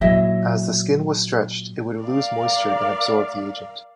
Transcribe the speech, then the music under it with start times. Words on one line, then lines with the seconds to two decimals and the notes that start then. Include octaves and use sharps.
As the skin was stretched, it would lose moisture and absorb the agent.
0.01 A#2 F#3 E4 D#5 E5
2.00 A#4 D5 F5